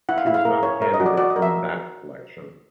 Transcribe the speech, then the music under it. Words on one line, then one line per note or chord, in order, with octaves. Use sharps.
She was not a candidate in that election.
E4 F#5
F5
E4 E5
F5
A#4
C#5
A#4 E5
D#5
F#4
D5
F#4 D5
D#5
A#4
E5